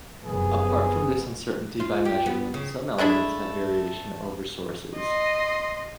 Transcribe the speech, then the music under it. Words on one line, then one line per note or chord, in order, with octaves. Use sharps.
Apart from this uncertainty by measurement, some elements have variation over sources.
F1 F#2 B3 G#4
F4
G4
B3
C#3
G#3 A3 D4 E4
D#5 C6